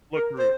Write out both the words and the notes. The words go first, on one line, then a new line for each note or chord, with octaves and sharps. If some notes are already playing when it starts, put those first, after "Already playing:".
look through it?
A#4
C5